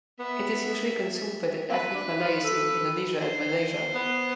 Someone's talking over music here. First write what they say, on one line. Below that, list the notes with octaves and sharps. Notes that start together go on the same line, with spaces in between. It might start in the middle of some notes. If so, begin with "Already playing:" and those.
It is usually consumed by the ethnic Malays in Indonesia and Malaysia.
B3 E5
C4 B4
D4
F4
A4
C5
B3